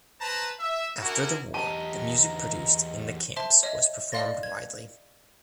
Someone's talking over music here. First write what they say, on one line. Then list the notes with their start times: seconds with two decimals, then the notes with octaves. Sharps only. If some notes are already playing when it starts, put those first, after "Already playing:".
After the war the music produced in the camps was performed widely.
0.20 B4 C5 A5 A#5
0.60 E5
1.02 C#4 D4 E4 F#4 A#4
1.54 E2 G4 D#5 A5 A#5
3.36 C5 E5 A5 C6
3.63 C#5 D#5 E5
4.12 D5 D#5 F5 C6 A6 A#6
4.43 G#6